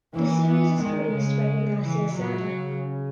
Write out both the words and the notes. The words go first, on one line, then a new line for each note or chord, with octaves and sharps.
The series is produced by Ignacio Sada.
E3 A#3
B3
D#3 G#3
C#3
E3
A#2 F#3
C#3